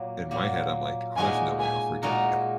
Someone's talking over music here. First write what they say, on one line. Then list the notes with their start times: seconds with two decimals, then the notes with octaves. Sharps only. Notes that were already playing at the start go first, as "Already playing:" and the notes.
in my head, I'm like, "Oh, there's no way I'll forget that,"
Already playing: A#2 F#3 A#3
0.31 A#2 F#3 A#3
1.17 A#2 G#3 D#4 F#4 A#4 G#5
1.60 G#5
2.02 A#2 G#3 D#4 F#4 A#4 A#5